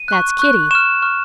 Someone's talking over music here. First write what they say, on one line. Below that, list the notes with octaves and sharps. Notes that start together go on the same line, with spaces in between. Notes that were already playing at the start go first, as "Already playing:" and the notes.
"That's Kitty."
Already playing: D#7
C#6 F#6
C#6 F#6
C#6 F6 E7
C#6 F6